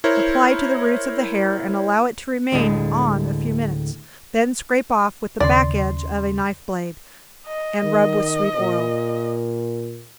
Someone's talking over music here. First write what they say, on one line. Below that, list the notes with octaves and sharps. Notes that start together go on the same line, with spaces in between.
Apply to the roots of the hair and allow it to remain on a few minutes, then scrape off with the back edge of a knife blade, and rub with sweet oil.
E4 A#4 C5 C#5
D2 A2 D3 G#3
D#2 C#3 D5 C6
D#5
D#3
A#2